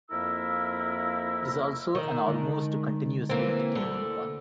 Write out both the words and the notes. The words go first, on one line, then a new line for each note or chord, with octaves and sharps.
It is also an almost continuously entertaining one.
F2 A#3 E4 A#4 E6
D#3
D3 G#3 D4
E3 A#3 C4
D2 D3